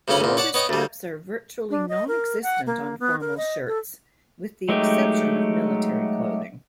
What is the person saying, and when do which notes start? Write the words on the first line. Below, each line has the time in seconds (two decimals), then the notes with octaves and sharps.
Shoulder straps are virtually non-existent on formal shirts, with the exception of military clothing.
0.08 D2 G2 C#3 C#4 G#5 B5
0.21 E2 A#2
0.37 C#5 D5 F#5 A5
0.54 B3 C#5 D#5 G5
0.69 D2 G3
1.70 D4
1.89 D#5
2.08 A#4
2.43 F#5
2.67 A#3
3.00 B3
3.21 A#4
3.37 D#5
3.67 A4
4.69 F#3 G#3 A3 D#4 G4